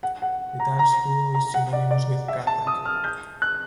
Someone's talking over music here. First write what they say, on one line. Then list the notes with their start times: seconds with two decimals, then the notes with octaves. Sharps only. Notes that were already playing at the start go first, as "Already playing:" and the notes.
The dance duo is synonymous with Kathak.
0.03 F#5
0.22 F#5
0.60 A#5
0.79 A#5
1.34 A#5
1.54 F#5
1.73 D5
1.91 D5
2.28 E5
2.47 A5
2.67 D#6
2.85 F6
3.04 G6
3.42 F#6